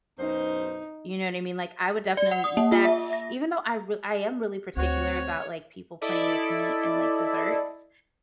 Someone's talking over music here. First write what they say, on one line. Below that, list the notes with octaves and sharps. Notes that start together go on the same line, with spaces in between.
You know what I mean? Like, I would definitely eat that. Even though I r I am really particular about, like, people playing with meat and, like, desserts.
F#2 B2 D#4 C5
D5
F#5
D#6
A#3
F4
E5
A#6
D2 C4 F#4 C#5
E4 A4 D5 D#5